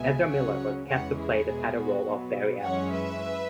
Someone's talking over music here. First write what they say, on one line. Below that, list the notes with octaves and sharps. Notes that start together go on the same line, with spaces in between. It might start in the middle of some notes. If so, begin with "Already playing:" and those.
Ezra Miller was cast to play the title role of Barry Allen.
Already playing: C#2 B2 G#3 B3 E5 G#5
C#2 C#3 F#3 C#4 C#5 F#5
E2 C#3 E3 G#3 C#4 C#5 F#5
E4 G#4
B2 G#3 B3
F#4
B2 F#3 B3
F#2 E3 G#3 C#4 C#5 F#5
B4 E5